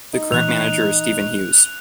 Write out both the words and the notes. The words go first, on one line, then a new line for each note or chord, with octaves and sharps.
The current manager is Stephen Hughes.
D#4
A#2 E3 F#6 F7